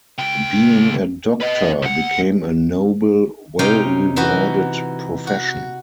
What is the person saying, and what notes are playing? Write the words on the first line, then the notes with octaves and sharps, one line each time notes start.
Being a doctor became a noble, well-rewarded profession.
C#2 G5
B4 D#5
C#2 F#5
C3 D#4 C#5 D#5 F5 G5
E3 D#4 E4 F#4
F#4